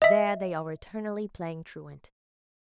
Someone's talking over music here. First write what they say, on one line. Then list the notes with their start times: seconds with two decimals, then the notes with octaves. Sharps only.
There they are eternally playing truant.
0.02 D#5 E5